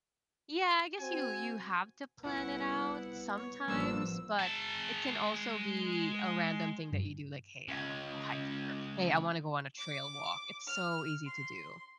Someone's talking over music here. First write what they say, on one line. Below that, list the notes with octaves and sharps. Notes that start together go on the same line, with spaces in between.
yeah, I guess you you have to plan it out sometimes, but, it can also be a random thing that you do, like, "Hey, I wanna go hiking," or, "Hey, I wanna go on a trail walk." It's so easy to do.
C4 F#4 G#5
C2 B3 E4 F#5
C#5
A1 F3 G3 A#3 D4 E6
G#3 A5
G2
C#2 C#4
D6
F6
C6